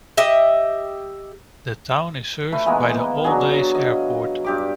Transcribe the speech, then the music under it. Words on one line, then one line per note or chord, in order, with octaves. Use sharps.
The town is served by the Alldays Airport.
G4 D#5 E5
A3 B4
E3 G#3 A#3 B3
F#3 D4 F#4 G#4
D#5
G2 G4 D6